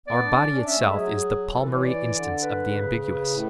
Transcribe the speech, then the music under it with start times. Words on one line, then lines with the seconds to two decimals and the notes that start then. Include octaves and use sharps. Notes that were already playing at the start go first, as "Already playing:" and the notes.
Our body itself is the palmary instance of the ambiguous.
0.07 B3 D5
0.22 D4
0.36 C#4
0.47 C#4
0.56 D4
0.66 C#4 E5
0.76 A3
0.86 G#3
0.95 F#3 G#4
1.54 E3 A4
1.64 B4
1.74 C#5
1.83 D5
2.13 D3
2.42 B4
2.72 C#3
3.01 B4
3.31 A2